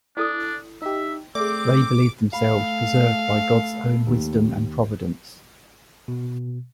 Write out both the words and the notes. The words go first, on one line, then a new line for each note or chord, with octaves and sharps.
They believed themselves preserved by God's own wisdom and Providence.
D4 E4 A4 D5 D#6
D#4 G4 E5
A3 C4 G#4 D5 D6
A3 F5 B5
D#2
B2